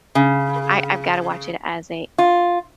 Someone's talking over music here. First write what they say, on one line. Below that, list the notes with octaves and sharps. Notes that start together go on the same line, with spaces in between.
I I've gotta watch it as a
C#3
F4